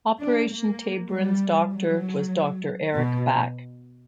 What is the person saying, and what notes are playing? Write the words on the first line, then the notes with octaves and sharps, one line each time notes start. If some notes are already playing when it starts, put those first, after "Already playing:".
Operation Tabarin's doctor was Doctor Eric Back.
D4
A#3
G3
F#3
B2